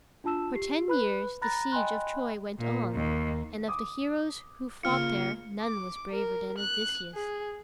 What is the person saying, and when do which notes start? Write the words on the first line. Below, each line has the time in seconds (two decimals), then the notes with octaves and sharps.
For ten years the siege of Troy went on, and of the heroes who fought there, none was braver than Odysseus.
0.24 D4 F4 A5 E6 E7
0.55 G4 C7
0.88 B4 B5 F#6
1.42 A#5 B5 F#6 A6 A#6
1.72 D#5 G5 G#5 B5 C6 F#6
2.59 A#2
2.93 D#2
3.68 D6 D#6
4.83 C#3 A#3 F4 F6 C#7
5.61 D6
6.11 A#4
6.58 F#6
7.14 G#4